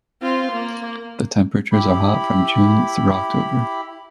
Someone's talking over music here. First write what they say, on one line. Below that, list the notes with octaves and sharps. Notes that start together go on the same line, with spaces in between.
The temperatures are hot from June through October.
C4 F4
A#3
E4 G4 B5